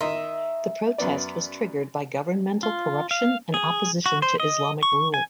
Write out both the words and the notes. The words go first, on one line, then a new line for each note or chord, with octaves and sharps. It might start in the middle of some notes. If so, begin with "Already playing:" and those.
The protest was triggered by governmental corruption and opposition to Islamic rule.
D#3 D#5 E5 C6
F#2 B3 D5
F4
F5
G#4
F#4
C5
D#5
C#6
G#5